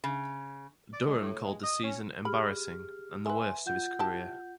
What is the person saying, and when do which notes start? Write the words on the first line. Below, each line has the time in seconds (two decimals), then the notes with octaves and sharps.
Durham called the season "embarrassing" and the "worst" of his career.
0.04 C#3
0.93 D5
1.06 G#3
1.19 A2
1.44 G#3
1.63 D#5
1.84 C#4
2.25 G4 G#4 B5 F6
3.26 B4 E5 G#5 C6
3.66 F4 F#5 G6
3.99 E4 G4 A5